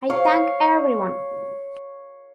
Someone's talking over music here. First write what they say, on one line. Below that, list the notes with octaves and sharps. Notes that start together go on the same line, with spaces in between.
I thank everyone.
C#5 F5